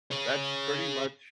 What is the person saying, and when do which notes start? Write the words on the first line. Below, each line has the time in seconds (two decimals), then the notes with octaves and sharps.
That's pretty much
0.11 G#4 C#5